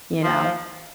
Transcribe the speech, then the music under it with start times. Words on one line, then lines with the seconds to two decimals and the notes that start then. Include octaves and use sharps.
You know?
0.22 F3